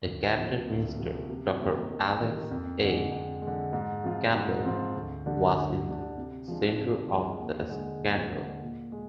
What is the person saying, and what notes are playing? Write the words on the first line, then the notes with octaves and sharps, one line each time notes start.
A cabinet minister Doctor Alex A. Campbell was in the centre of the scandal.
D2
C3 F3 A#3
D2
C3 F3 A#3
C3
D#3 G3 A#3
C3
D#3 G3 A#3
F2
D3 G#3
F2
D3 G#3
G#2
F3 C4 F4
G#2
F3 C4 F4
D2
D3 G3 D4
D2
D3 G3 D4
C3
F3 G#3 D4
C3
F3 G#3 D4
D#2
D3 G#3
D#2
D3 G#3
A#2
G#3